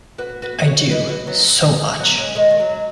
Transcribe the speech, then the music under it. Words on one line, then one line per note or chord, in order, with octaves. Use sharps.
I do, so much.
F#4 B4
F#4 B4
G#4 C#5
B4 D#5
G#4
F#4 B4
F#3 B3
D#3
F#3 B3
G#3 C#4
D#3 G#3
D#3
F#3